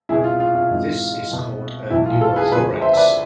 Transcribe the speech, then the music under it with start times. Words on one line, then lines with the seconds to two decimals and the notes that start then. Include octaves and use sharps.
This is called a pneumothorax.
0.09 C2 B2 E4 G#4
0.24 F4
0.40 F4
0.55 F4
0.70 G#1 G#2 E3
1.31 C2 B2
1.90 B1 A2 E3 E4
2.06 F4
2.21 F4 A4
2.36 G#4 B4
2.52 D2 D3 F3 G#4 B4
2.81 C5 E5
2.93 E5
2.97 B4 D5